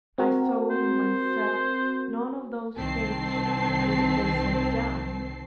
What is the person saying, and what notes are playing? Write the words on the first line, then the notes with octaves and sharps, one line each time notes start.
I saw in myself none of those states which they set down.
C4 F#4 A#4
C5
C2 D#3 C4 A5 C7